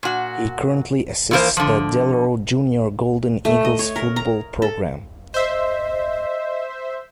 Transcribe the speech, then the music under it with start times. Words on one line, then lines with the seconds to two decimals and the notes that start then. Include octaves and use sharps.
He currently assists the Del Oro Junior Golden Eagles football program.
0.03 A#2 F#4
1.31 E3 F3 A#3 A#4 C5
1.57 D3 F3
3.45 A3
3.65 D#5
3.79 C#5
3.96 A#4
4.16 A#5
4.62 A4
5.34 C5 D#5 E5